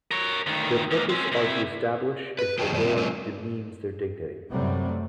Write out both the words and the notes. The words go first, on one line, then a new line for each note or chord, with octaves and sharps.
Their purpose are to establish if the law demeans their dignity.
A#4 C#5
D2 D#3
G#2 A#3
C4 C#4
C3 E4
B4
F#4 G#4 A4 C5 G5
F#2 B2 D#3 G3 C5 D5
C4 F#4
F#3 G#3 A#3 C4 C#4 F4
F#2 A2 C3 F#3 G3 A3